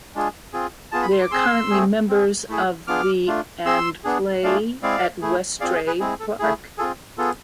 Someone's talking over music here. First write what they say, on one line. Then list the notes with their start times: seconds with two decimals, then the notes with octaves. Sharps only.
They are currently members of the and play at Westray Park.
0.15 G#3 D4 F4 G#4
0.53 C4 F4 G#4
0.92 B3 F4 G#4 A5
1.02 B5
1.12 C6
1.22 D6
1.31 C4 G#4 C6 E6
1.70 A3 C4 G#4
2.09 C4 G#4
2.49 A3 E4 G#4
2.87 B3 D4 F4 G#4 D6 F6
3.27 A3 D4 F4
3.66 C4 G#4 C6 E6
4.04 B3 D4 G#4
4.43 A3 D4 F4 G#4 D5 F5
4.82 G#3 C4 E4 G#4 D5 F5
5.22 A3 E4 G#4
5.61 C4 F4 G#4 D5 F5
5.75 G#4
5.87 G#4 B4
6.00 G#3 C4 E4 G#4
6.20 A4
6.39 A3 E4 G#4
6.78 C4 F4 G#4 A4
7.18 B3 F4 G#4 A4